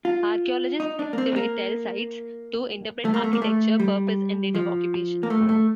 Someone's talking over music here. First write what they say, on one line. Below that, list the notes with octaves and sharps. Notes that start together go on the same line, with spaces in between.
Archaeologists excavate tell sites to interpret architecture, purpose, and date of occupation.
F4
D#4
D4
A#3
C4
A#3
A3
A#3
A3
A#3
A3
G3
F3
A#3
A3
A3